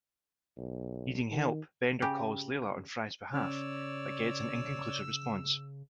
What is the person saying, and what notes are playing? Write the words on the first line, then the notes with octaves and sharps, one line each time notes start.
Needing help, Bender calls Leela on Fry's behalf, but gets an inconclusive response.
B1
D#3
C#3 G4
C#3 C#4 C#5 D5 E6